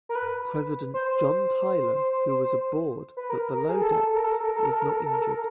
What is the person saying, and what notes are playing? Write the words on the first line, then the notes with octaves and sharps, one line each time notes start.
President John Tyler, who was aboard but below decks, was not injured.
A#4
B4
C5
B4
A#4
A#4
G#4
A4
A4
A#4
A4
A#4
A4
A#4
A4
A#4
A4
A#4
A4
A#4
A4
A#4
A4
A#4